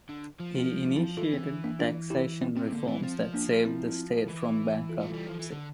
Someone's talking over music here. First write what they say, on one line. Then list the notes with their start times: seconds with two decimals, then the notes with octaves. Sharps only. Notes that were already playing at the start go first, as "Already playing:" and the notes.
He initiated taxation reforms that saved the state from bankruptcy.
0.09 D3
0.39 F3
0.55 C4
0.96 C4 E4
1.17 E3 F4 A4
1.33 C4
1.64 A#3 D4
1.79 D4 F4
2.10 E4 G4
2.41 C4 E4
2.57 C3 C4
2.72 D3 A#3
2.88 E3 C4
3.03 F3 C4
3.34 A#3 D4
3.65 C4 E4
4.28 E3
4.89 F4 A4
5.00 A3
5.13 G3
5.27 F3
5.39 E3
5.51 D3